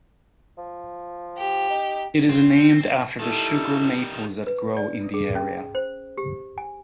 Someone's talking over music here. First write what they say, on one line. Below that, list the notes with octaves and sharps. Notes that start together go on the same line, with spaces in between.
It is named after the sugar maples that grow in the area.
F3
G4
D#4
C4
D#3 G3 D#4 E4 A4
B4
D5
G#4
C#4
C5
G4
G#5